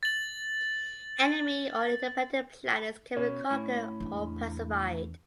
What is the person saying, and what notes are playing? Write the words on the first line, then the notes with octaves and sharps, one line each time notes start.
Enemy or independent planets can be conquered or pacified.
A6 F#7
B2 C#4
A2
E2 D4